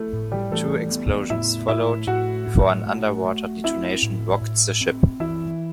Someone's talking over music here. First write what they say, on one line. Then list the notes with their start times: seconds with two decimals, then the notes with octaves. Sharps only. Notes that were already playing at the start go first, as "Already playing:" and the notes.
Two explosions followed, before an underwater detonation rocked the ship.
Already playing: A3 E4 A4
0.13 A2
0.32 G3 G4
0.51 E3 A3 A4
0.91 B3
1.30 A2 E4 E5
1.68 A2 E4 E5
2.07 A2 F#4 F#5
2.47 A2
2.86 A3
3.25 A3
3.64 C4 E4 E5
4.03 A2
4.42 A2
4.81 C4
5.20 E3 E4 E5